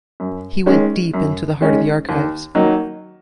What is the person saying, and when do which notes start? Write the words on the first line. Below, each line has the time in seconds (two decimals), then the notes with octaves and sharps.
He went deep into the heart of the archives.
0.20 F#2
0.66 D#3 G#3 C#4
1.14 F#2
1.61 D#3 G#3 C#4
2.09 D#2
2.55 D#3 F#3 A#3 D#4